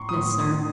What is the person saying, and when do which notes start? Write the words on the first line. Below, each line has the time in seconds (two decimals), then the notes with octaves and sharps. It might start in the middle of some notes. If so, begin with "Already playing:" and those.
"Yes, sir."
Already playing: A2 A#5 C6 C#6
0.09 D#6
0.16 A2 C#6
0.40 D#6